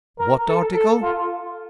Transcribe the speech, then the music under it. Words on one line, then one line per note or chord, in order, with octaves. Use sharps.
"What article?"
A#4
A4
A4
F4